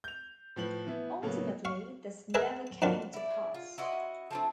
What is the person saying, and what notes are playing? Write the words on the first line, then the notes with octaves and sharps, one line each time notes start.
Ultimately, this never came to pass.
G6 F7
A2 F3 B4 F#7
E3 B3 E4
A2 C#3 F#3 A#3 B3
F5 C#6
G#4 A#4 B4 D#5 E5 G#5
F2 D#3 F#3 D4 F4
E4 D5
C#4 G#4
F4
E4 F#4 G#4 D5 D#5 C6
C#4
F3 A3 C4 D4 G#4 A5